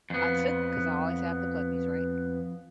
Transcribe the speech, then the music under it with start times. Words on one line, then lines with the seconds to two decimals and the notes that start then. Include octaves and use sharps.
I took, 'cause I always have the puppies, right?
0.10 F2 B3